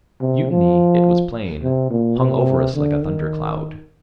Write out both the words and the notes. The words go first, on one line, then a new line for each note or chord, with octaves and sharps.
Mutiny, it was plain, hung over us like a thunder-cloud.
C3
F3
C3
A#2
C3
D3
D#3